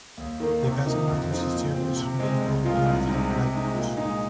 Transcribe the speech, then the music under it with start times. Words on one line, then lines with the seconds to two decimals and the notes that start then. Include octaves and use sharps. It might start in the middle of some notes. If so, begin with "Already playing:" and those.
The gas emergency service vehicles do not have lightbars.
0.17 D#2
0.40 D#3 A#3
0.63 C3
0.85 F3 A#3 D#4
1.07 F2
1.30 F3 C4 D#4
1.52 A#2
1.74 F3 C4
1.96 C3
2.19 G#3 C4
2.41 C2
2.63 A#2 F3 G#3 F4
2.86 C2
3.08 C3 G#3 D#4
3.30 C3
3.53 G#3 D#4
3.75 A#2
3.97 G#3 D#4